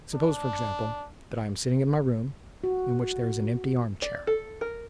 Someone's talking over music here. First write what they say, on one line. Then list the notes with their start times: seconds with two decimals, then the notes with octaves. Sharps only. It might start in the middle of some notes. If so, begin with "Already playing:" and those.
Suppose, for example, that I am sitting in my room, in which there is an empty arm-chair.
0.15 D4
2.64 F#4
4.02 D5
4.27 A4
4.61 A#4